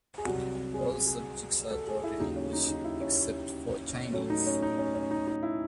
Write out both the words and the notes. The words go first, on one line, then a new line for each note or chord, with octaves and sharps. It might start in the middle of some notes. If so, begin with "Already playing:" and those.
All subjects are taught in English, except for Chinese.
G#4
C2 C3 F#3 F#4
G#4
G#4
A4
G#4
E4
D#2 C#3 F#3 D#4
C#4
D#4
D#4
E4
C#4
A2 F#3 A3 C#4
D#4
C#4
D#4
C#4
C#4
D#4
D#4
E4